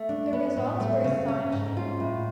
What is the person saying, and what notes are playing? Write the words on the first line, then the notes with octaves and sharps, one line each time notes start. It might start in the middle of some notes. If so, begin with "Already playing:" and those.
The results were astonishing.
Already playing: A3
D4
B3
A2
A3
C#3
C#4
G#2
F4
A2